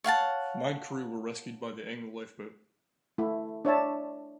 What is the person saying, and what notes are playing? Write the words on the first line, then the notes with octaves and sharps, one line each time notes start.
Nine crew were rescued by the Angle Lifeboat.
C#5 F5 F#5 A5
A3 E4
D4 C#5 E5 A5